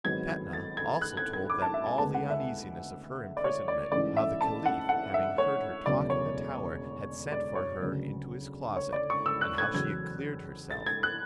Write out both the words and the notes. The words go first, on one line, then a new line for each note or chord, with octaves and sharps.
Fetnah also told them all the uneasiness of her imprisonment, how the caliph, having heard her talk in the tower, had sent for her into his closet, and how she had cleared herself.
G#1 G#2 F#3 B3 G#6
G#6
A6
G#6
F#6
G#6
G#6
D6
A5
E5
G#5
D2 C#3 G#3 B3 A5
F#5
E5
D5
C#5
D5
A1 G#2 E3 D5
E5
A5
F#5
F#5
E5
C#5
E1 D2 C#3 F#3 D5
C#5
D5
C#5
D2 C#3 F#3 B3
C#5
D5
C#6
E6
F#6
G#6
E2 C#3 F#3 G#6
A6
G#6
F#6